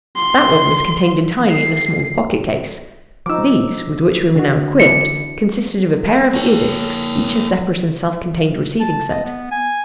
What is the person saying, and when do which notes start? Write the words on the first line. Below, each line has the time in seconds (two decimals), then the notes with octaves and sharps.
That one was contained entirely in a small pocket case. These, with which we were now equipped, consisted of a pair of ear discs, each a separate and self-contained receiving set.
0.16 C6
1.50 C7
3.26 F3 D#4 D6 E6
4.36 D3 F#4
4.80 E3 D4 E4 C#7
6.34 A#3 C#5
8.80 A5
9.10 D#5
9.25 B3
9.51 G#5